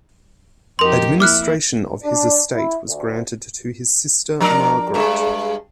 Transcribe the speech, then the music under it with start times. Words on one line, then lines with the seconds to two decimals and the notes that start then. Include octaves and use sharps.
Administration of his estate was granted to his sister Margaret.
0.79 F2 D#4 G4 A#4 C6
1.20 A#3 E4 D6 F6 F#6
2.03 D4
2.54 E4
2.85 D2
4.40 F3 D4 A#4
4.94 G2 G#3